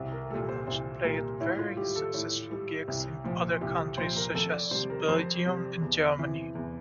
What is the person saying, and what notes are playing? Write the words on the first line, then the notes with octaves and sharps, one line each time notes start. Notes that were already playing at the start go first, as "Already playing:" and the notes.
They also played very successful gigs in other countries such as Belgium and Germany.
Already playing: C2
A#4
A#2 G3 A4
C5
C2 C5
A#2 G3 A#4
A2 E4
F4
G3 G4
A4
A2
G3
C2
A#2 F3
C2 G4
A#2 F3 C5
A#4
F2 A4
D5
C3 G3 C5
A#4
F2 C5
C3 G3
E2
C3 E3
E2